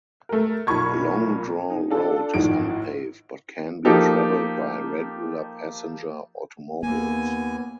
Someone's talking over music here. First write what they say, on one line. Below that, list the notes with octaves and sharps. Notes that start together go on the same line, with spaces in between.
Long Draw Road is unpaved, but can be traveled by regular passenger automobiles.
A3 A#4
B1 A#2 B5 C#6 G#6
D#4
D4 F4 A4
G#1 A2 F3 D#4 D7
F3 A#3 D#4 G4 A4
D#2 A#3 B3 G#5